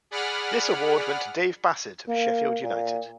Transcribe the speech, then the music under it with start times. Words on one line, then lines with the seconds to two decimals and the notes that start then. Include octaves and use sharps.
This award went to Dave Bassett of Sheffield United.
0.11 G#4 D5 F#5 B5 F6
2.08 A#3
2.63 A#2